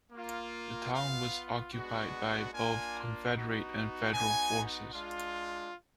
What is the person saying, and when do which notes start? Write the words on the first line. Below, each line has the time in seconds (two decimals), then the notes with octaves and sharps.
The town was occupied by both Confederate and Federal forces.
0.12 A#3 F4
0.92 B3 F4 F5
1.72 G#3 B3 D4 F#4
2.52 A#3 D4 F4 G#5
3.32 B3 D#4 F#4
4.12 B3 D#4 F#4 G#5
4.93 G#3 D4 F4